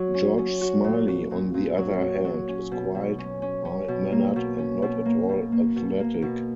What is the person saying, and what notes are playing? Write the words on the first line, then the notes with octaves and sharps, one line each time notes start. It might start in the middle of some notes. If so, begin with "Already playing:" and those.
George Smiley, on the other hand, is quiet, mild-mannered and not at all athletic.
Already playing: F#3 F#4
C#4
C#4
F#4
A#2
F#4
A#2
A#2
F#3
F#3
F#3
C#4
B2
B2
C#4
C#4
C#4
B2
A#3
B2
C#4
B2
A#3
B2
A#3
B2
A#3
B2